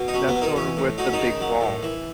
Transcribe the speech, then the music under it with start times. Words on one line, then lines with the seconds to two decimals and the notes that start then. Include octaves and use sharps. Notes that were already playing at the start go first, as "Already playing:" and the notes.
that's the one with the big ball
Already playing: B2
0.08 D#4
0.14 F#3 C#4
0.28 B3
0.35 B2
0.42 D#3 D#4
0.56 E3 C#4
0.77 A2
0.98 F#3 D#4
1.06 C#4
1.13 D#3 D#4
1.19 C#3
1.40 F#3
1.61 A2
1.83 E3